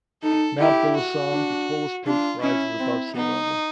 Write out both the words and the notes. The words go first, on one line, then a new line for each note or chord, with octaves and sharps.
Mount Bulusan, the tallest peak, rises above sea level.
D#4 A4
E4 G4
F#4
D4
D4 F4
C#4 E4
C4
B3 D#4